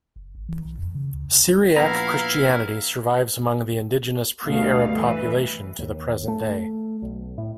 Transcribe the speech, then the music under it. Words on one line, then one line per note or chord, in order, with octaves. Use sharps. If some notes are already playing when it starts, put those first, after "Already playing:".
Syriac Christianity survives among the indigenous pre-Arab population to the present day.
F#1
G#1
E3
B1
F2
C#3
D2
A#1 B3 E4 F5 A#5
D2 G2 B2 G3 A3 F5
E3 B4
D#2
A3
B1
A2